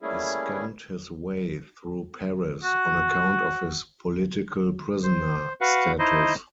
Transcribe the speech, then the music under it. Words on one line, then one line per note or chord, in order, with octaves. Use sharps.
He scammed his way through Paris on account of his 'political prisoner' status.
G3 A3 A#3 C#4 E4 G#4
F#4
C5
F#4 B4 F5 F#5
D#4 E4 C5 D#5